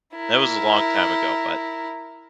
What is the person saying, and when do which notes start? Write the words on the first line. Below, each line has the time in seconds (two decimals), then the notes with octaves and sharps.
That was a long time ago, but,
0.16 E4 A#4